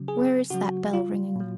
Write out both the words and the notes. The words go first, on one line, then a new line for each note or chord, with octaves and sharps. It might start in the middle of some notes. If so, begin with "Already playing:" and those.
Where is that bell ringing?
Already playing: C#3 F#3
G#4
C#3 F#3 F#4
F4
A#2 F#3